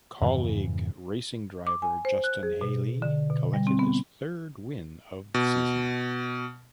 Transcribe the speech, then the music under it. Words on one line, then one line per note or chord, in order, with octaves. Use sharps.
Kaulig Racing driver Justin Haley collected his third win of the season.
F2 G#2 C#3 E3
D6
G#5
C5
F#6
G#4
B2
D3
B2
G3
C4
B3
B2